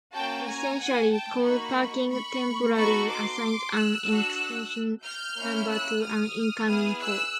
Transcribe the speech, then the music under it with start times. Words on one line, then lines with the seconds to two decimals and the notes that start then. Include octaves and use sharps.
Essentially, call parking temporarily assigns an extension number to an incoming call.
0.14 A#3 C#4 F#4 G5 A5
0.47 G#5 A#5
0.79 F#5 G#5
1.12 G5 A5
1.45 A#3 D#4 F#4 B5 C#6
2.10 B5 C#6
2.75 B3 D#4 F#4 A4 B5 C#6
3.08 C6 D6
3.73 E6 F#6
4.06 D4 F#4 A4
5.04 F6 G6
5.37 A#3 C#4 E4
5.69 E6 F#6
6.02 D#6 F6
6.67 B3 E4 G#4 D#6 F6
7.00 E6 F#6